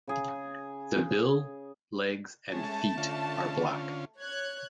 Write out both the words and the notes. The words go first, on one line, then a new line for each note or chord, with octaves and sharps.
The bill, legs and feet are black.
C#3 G#4
G#3 A3 C#4 A5
D3 C#4 F4
C#5 F#6 G#6